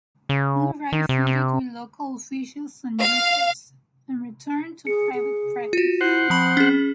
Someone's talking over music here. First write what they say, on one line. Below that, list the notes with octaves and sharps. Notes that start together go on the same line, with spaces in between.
Murray feuded with local officials and judges, and returned to private practice.
C#3
D#3
C3
C3
F5
G#4 C#7
G#4
F4 F#4
E4 C5 F#5
F3 C4 B5 F#7
C#4 G#4